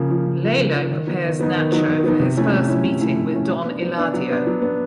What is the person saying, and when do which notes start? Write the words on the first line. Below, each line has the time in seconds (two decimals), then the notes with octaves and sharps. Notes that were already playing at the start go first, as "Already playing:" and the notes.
Lalo prepares Nacho for his first meeting with Don Eladio.
Already playing: C#3 F3 A#3
0.10 F3 A#3
0.26 C#3
0.42 F3 A#3
0.58 C#3
0.75 F3 A#3
0.91 D#3
1.07 F#3 B3 D#4
1.23 D#3
1.39 F#3 B3 D#4
1.56 D#3
1.72 F#3 B3 D#4
1.88 D#3
2.04 F#3 B3 D#4
2.20 C3
2.36 F3 A3 C#4 E4
2.52 C3
2.69 F3 A3 C#4 E4
2.85 C3
3.01 F3 A3 C#4 E4
3.17 C3
3.33 F3 A3 C#4 E4
3.50 F#3
3.65 B3
3.70 D4
3.82 F#3
3.98 B3 D4
4.14 F#3
4.30 B3 D4
4.47 F#3
4.62 B3 D4